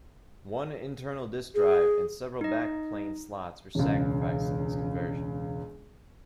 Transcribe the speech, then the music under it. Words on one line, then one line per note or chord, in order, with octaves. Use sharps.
One internal disk drive and several backplane slots were sacrificed in this conversion.
G#4
D#4 D#5
E1 C#2